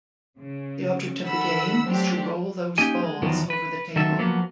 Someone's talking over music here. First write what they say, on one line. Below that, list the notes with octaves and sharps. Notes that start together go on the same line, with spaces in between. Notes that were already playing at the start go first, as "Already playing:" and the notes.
The object of the game is to roll those balls over the table.
C#3
D#3 A4 A#4 F#5 B5 E6
F#3 A3 C4 D4 G4
A#3 C#4 D#4 G4 G#5
G#3
E2 B2 D#3 F3 F#3
B4
D#3 F#3 A4 E5
F3 F#3 A#3 B3